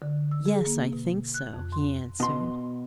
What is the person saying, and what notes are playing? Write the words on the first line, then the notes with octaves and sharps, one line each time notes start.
"Yes, I think so," he answered.
D3
E6
G#4
A#3
B2
F#6
F2
C6
B2 C6